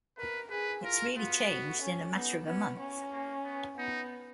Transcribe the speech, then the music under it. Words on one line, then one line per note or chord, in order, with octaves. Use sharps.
It's really changed in a matter of a month.
A#4 B4
G#4 B4
F4 A#4
B3 F4
F#4
C#4
B3 D#4
B3 C#4
C#4
A#3
B3
B3 D#4